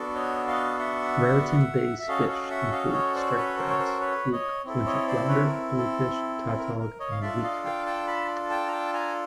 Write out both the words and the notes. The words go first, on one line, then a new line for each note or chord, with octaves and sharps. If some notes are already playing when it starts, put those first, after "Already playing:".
Raritan Bay's fish include striped bass, fluke, winter flounder, bluefish, tautog and weakfish.
Already playing: B3 D4 F#4 A4
C#5 D#5
D#5 F5
E5 F#5
E5
C#4 F#4 A4 D#5 F5
D#5 F5
E5 F#5
D#5 F5
C#5 D#5
C5 D5
B4 C#5
A#4 C5
C#5
A#4 C5
B4 C#5
C#5 D#5
C4 E4 A4
C#5 D#5
C5 D5
B4 C#5
A#4
A4
A4
A#4
A#4
C#5 D#5
F5
D4 F4 A4 D5 E5
D#5 F5
F5 G5
G5 A5
A5 B5
G5 A5
A#5
G5 A5
G#5 A#5